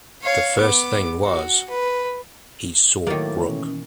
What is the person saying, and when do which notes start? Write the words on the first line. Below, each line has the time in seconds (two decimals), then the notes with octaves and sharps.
The first thing was — he saw Brooke.
0.22 C#5 F5
0.59 B3 D6
1.24 F#4
1.70 B4
3.07 A2 D#3 F#3 A#3 A#4 D6 A6
3.47 B2 E3 C#4